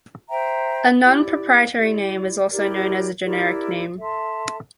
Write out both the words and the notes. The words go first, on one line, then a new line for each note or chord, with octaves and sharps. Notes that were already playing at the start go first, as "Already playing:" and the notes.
A non-proprietary name is also known as a generic name.
C5 E5 G5 A#5
E4 G4 D5
E4 G4 D5
E4 G4 A#4 D5
E4 G4 A#4 D5
A4 E5 A5 C6